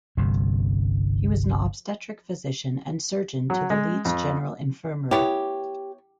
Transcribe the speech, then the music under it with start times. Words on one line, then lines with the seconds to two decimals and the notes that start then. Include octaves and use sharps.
He was an obstetric physician and surgeon to the Leeds General Infirmary.
0.17 G1 C2 G2 C3
3.50 F#3
3.70 G#3
4.05 F2
5.11 B3 E4 G4 C#5